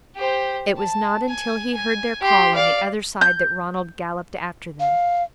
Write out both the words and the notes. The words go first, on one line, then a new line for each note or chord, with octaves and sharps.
It was not until he heard their call on the other side that Ronald galloped after them.
G4 C5
A5
G#5
G#5
G4 C6
D5 F5
G6
F5